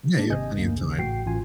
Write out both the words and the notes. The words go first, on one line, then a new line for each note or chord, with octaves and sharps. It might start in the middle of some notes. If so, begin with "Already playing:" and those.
Yeah you have plenty of time.
G#3 A#3 D4
G#1 C3 D#5 G#5 G6
D2 G2 A#3
A#1 C#3
A1 A2 F#4 G5 C7
A1 F4 G#5